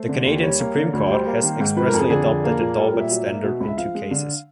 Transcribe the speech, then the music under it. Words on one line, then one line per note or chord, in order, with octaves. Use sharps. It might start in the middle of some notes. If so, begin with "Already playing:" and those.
The Canadian Supreme Court has expressly adopted the Daubert standard in two cases.
Already playing: A3 C5
D3
D#2
G3 C#5
A#3
D3
D2
G3 C5
A#3
D#3
G#2
F3 B4
A#4
F2 A4
G#4
D3 G#4
F2
A#3
A#2
G3 A4
A#4
A#2
E5
F#3
A#3
B2
C#2
E5
F3 F5
G#3
D3